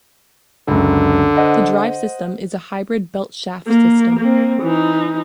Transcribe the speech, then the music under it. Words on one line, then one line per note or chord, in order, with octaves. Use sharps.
The drive system is a hybrid belt-shaft system.
C#2 F#2 D3
C5 D#5 F#5
A#3
A#3 C4
E3 D#4